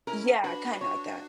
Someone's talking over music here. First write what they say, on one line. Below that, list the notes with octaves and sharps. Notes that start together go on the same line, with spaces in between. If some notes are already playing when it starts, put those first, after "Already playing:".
Yeah. Kinda like that.
C#4 E4 A#4
D4 F#4 B4
C#5